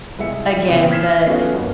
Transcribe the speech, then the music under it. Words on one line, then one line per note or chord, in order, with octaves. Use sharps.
again, the
C2 G#3 E5 C#7
A#2 C#3 B3 C4
F6 G#6 B6 C7 E7
A3 B3 C#4 D#4 F4 F#4
G1 A#3